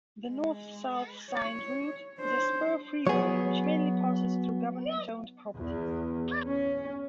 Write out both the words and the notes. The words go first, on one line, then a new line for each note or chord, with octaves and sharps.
The north-south signed route is a spur freeway which mainly passes through government-owned properties.
G#3
C#5
D4 C5
F#3 B3 G#4 C#5
E2
C#4